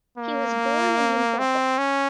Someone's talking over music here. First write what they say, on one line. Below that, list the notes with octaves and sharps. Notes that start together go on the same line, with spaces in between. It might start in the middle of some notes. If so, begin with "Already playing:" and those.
He was born in Limpopo.
A#3
C4
C#4